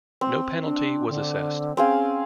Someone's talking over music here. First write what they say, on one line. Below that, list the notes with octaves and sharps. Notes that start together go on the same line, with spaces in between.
No penalty was assessed.
C4
D4
D3
C4 C#4 G#4 F5